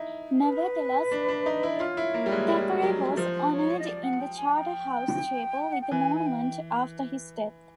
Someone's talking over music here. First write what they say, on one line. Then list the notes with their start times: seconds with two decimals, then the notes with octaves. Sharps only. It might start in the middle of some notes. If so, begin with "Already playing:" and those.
Nevertheless, Thackeray was honoured in the Charterhouse Chapel with a monument after his death.
Already playing: D#4 E4
0.42 B4
1.11 D4
1.29 D4
1.46 D#4
1.63 E4
1.75 D5
1.80 F4 C#5
1.97 E4
2.14 A#3
2.26 G3
2.31 G#3
2.49 G3
2.83 F#3
3.17 F3 C5
3.51 C#5
3.79 D#5
3.86 D5
4.03 F#5
4.20 G5
4.38 G#5
4.55 G5
5.72 F#5
5.81 G5
5.91 E3 G#5
6.16 G#5
6.26 G5